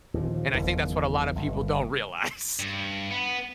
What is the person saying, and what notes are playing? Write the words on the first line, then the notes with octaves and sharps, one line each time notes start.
and I think that's what a lotta people don't realize,
D#2 A#2 F3
F#1 E2 D#3
G1
G2
B3